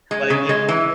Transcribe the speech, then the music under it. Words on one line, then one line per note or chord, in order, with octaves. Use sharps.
like, the
G#3
C#3
G#3
E3